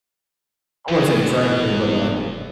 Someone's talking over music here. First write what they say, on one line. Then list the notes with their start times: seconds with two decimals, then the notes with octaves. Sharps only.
I wouldn't say attractive, but, like
0.88 F1 E2